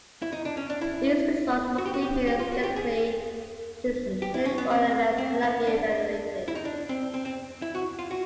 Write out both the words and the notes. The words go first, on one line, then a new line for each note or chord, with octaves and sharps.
These results must be viewed skeptically since placebo effects cannot be evaluated.
E4
D#4
D4
C#4
D4
E4
F#4
G4
F#4
G4
G4
F4
F#4
G4
G#4
G4
E4
C#4
B3
C4
C4
B3
D4
E4
D#4
D4
C4
C4
C4
E4
F#4
F4
F#4